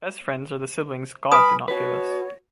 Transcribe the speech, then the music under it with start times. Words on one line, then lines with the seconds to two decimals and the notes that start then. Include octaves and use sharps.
Best friends are the siblings God did not give us.
1.32 B4 G#5 B5 D#6
1.68 F#4 B4 C#5